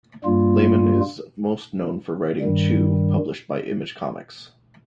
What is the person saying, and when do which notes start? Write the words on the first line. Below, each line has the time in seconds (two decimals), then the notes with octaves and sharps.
Layman is most known for writing "Chew", published by Image Comics.
0.24 G2 G3 A#3 F4
2.41 G2 D#3 G3